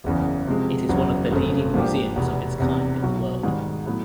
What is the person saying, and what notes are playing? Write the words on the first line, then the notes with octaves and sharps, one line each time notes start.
It is one of the leading museums of its kind in the world.
F#1 E2 C#3 E3
C3 F3 G#3
F#1 E2 C#3 F#3
G1 F2 C#3 F#3 A3
G#2 F3 A#3 D4 G4
F1 E2 B2
F1 E2 C3
B1 B2 F#3
G#2 D#3 G3
A2 F#3 B3 E4